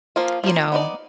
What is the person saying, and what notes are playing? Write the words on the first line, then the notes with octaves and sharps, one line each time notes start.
you know,
F3 A#3 F4
F3 A#3 F4
B3 D#4 F#4 D5